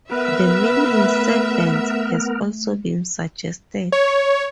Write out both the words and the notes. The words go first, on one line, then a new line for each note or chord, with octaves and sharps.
The meaning "servants" has also been suggested.
B3 A#4 B4 E5
A3
C#5